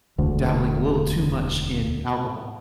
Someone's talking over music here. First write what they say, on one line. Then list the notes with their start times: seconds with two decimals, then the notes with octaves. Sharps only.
dabbling a little too much in alcohol.
0.18 E1 D2